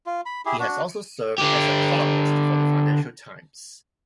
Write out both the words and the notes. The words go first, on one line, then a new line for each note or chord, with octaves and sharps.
He has also served as a columnist for the Financial Times.
F4
B5
E4 G4 G#4
D4 F#4
D3 G4